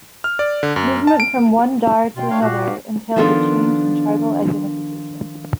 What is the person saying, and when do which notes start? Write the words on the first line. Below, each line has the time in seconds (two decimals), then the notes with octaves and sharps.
Movement from one dar to another entailed a change in tribal identification.
0.24 F6
0.39 D5
0.63 D3
0.76 F#2
1.07 A5
1.20 D7
2.16 B2 F4 G5 C6
2.30 A3 D4 C#5 F5
2.42 A#2 F#4 G4 F5
2.61 F5
3.16 D#3 F3 B3 D4 F4 A4